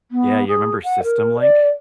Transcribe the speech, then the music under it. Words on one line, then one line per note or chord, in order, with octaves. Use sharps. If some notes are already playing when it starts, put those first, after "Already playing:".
Yeah, you remember SystemLink?
B3
G#4
F#5
A#4
D5